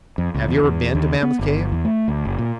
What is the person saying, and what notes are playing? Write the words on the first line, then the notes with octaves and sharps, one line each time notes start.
"Have you ever been to Mammoth Cave?"
F2
C#2
E2
E2
D#2
B3
G1
E2
A3
D2
F#1
A#2